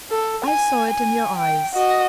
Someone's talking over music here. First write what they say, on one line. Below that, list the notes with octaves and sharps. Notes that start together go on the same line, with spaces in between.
I saw it in your eyes.
A4
G#5
G#5
G5
F#4 D#5